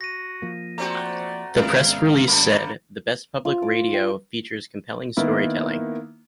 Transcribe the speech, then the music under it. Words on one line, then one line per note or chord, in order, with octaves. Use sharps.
The press release said, The best public radio features compelling storytelling.
F#4 A#6 D#7
F3 A#3
A3 C4 F#4 D5 A#5
G#1 C3 G#3 B3 E4 F5
F#2 A3 A#3 B5
F4
D6
G5
D#3 A#3 B3 E4